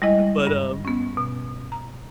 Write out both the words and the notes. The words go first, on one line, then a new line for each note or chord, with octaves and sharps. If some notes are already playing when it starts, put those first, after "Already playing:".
But, um
G3 G#3 E4 D#5
G2
B3 C#4
B2
A#5